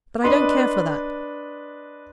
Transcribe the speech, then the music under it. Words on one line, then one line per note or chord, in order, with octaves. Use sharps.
But I don't care for that.
D4 B4 D#5 C6